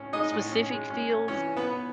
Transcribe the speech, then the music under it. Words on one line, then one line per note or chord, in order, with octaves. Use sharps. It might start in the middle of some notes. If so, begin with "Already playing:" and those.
specific fields?
Already playing: A2 C#4
G#3 D#4 D#5
A2
C#4
G#3
C#4
C#4
E3 C#4 C#5
E3
B3 B4
E3